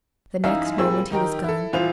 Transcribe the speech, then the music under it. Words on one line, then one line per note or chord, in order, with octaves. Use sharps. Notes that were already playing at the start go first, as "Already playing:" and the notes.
The next moment he was gone.
F#2 E3 D#4 E5 F5
A#2 G3 C4 G#4 E6
D#3 D#4 G4 A#4
E4 A4
D#1 E3 F4 C5 F7